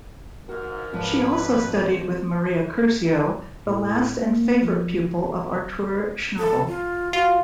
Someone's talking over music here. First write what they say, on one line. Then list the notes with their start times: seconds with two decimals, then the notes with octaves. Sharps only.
She also studied with Maria Curcio, the last and favourite pupil of Artur Schnabel.
0.49 G#2 F#4 A#4 F5
0.93 F2 G#2 C3 F3 F#3 B4
1.55 C5
3.66 A2
4.16 A#3
4.62 F3
6.38 A4
6.68 F4
7.13 F4 F#4